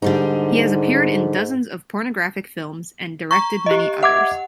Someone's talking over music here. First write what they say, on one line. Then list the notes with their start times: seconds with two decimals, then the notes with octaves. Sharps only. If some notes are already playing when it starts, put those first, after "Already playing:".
He has appeared in dozens of pornographic films, and directed many others.
0.02 G#2 D3 G3 D#4
3.31 A#5 C#6
3.66 G4 D#5
4.03 E5 F#5 D6 G#6